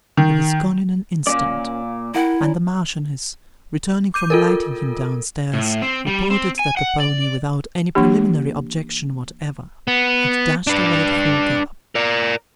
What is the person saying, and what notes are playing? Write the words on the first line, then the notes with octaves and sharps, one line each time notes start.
He was gone in an instant; and the Marchioness, returning from lighting him down-stairs, reported that the pony, without any preliminary objection whatever, had dashed away at full gallop.
D#3
A#2 C#4 D5
E4 A#4 F#5 G5
C#4 D5 A#5
D6 G6 D#7
F4 A4 A#4
A2
C4
G3
C4
G#5
F#5
D5
E3 A#3 D4 G4
B3
D4 B4
A#4 D5